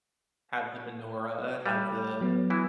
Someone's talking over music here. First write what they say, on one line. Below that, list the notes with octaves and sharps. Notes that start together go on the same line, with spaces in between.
Have the menorah, have the
G3
F#3 B3
E3 G#3 E4